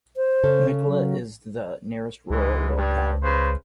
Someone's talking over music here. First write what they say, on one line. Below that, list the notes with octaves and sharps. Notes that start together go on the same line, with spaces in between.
Nikola is the nearest rural locality.
C5
C#3 A4
F#3
C#2 G#2 E3 G#3
G2
C#3 B4 C5